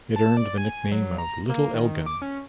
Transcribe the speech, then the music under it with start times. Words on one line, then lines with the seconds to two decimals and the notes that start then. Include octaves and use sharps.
It earned the nickname of "Little Elgin".
0.16 A5
0.37 D5
0.58 G#5
0.91 F#3
1.18 A#5
1.49 A#3
1.74 D#3
2.06 D6
2.22 C#4